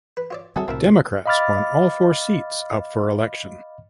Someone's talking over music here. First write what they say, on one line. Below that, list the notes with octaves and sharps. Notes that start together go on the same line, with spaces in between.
Democrats won all four seats up for election.
B4
F4 C#5 D5
D3 F#3 G3 C4 G#4 A4 E5
C2 A2 C3 F3 C4 E4 A#4
D#5 F5 B5 D6 F6 A6